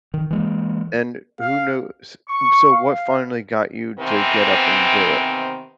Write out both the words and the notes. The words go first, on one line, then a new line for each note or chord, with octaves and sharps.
and who knows so, what finally got you to get up and do it?
D#3
E3 G#3 A#3
F5
C#6
F5
C3 D#3 E3 B3 C4